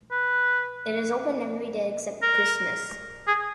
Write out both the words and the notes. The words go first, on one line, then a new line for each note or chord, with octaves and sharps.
It is open every day except Christmas.
B4
A#4
G#4